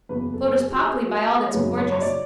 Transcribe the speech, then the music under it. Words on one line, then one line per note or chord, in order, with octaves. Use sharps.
Photo's papli, by all that's gorgeous.
F#1 E2 C#3 B4
A4
G#4
F#4
G#4
F#4
G#4
C#5
G#1 F#2 C#3 G#3 B4
C#5
C#5
D5